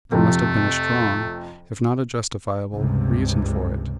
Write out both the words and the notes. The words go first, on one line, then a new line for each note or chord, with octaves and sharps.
There must have been a strong, if not a justifiable, reason for it.
F2 C3 F3 A3
C#2 G2 C3